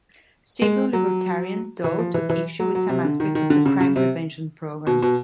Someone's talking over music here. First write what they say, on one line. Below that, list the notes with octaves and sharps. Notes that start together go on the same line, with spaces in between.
Civil libertarians, though, took issue with some aspects of the crime-prevention program.
G#3
F#3
E3
F3
E3
E3
F#3
F#3
C3
D3
D#3
D#3
D3
C#3
C#3
C3
B2
B2